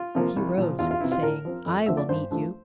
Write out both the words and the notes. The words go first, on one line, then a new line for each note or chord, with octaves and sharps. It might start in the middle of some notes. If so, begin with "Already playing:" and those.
He arose, saying, 'I will meet you.'
Already playing: F4
C3 F3 A#3
C2
A#2 F3
E2 F4
F4
C3 E3 E4
F4
A2 A#4
F3 C4
F2
D3 F3 A3 C4 E5
D5
G2 C5
F3 A3 D4